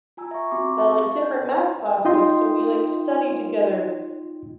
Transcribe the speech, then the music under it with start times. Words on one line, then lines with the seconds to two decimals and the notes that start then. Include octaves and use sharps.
a, like, different math class with, so, we, like, studied together.
0.17 F4 G#5 A#5 E6
0.31 E5 C#6
0.51 C4 F#4 A#5 C6 D6
0.77 B4 E5 F5 A5 C#6
1.20 A5 G6
2.05 D#4 F4 D#5 G5 C6